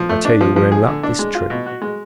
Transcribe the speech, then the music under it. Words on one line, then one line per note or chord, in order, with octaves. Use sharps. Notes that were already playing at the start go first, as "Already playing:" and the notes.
I tell you, we're in luck this trip.
Already playing: F3
A3
D4
F3
F3
G#4
D3
D4
G#3
F4
B2
F#4
G#3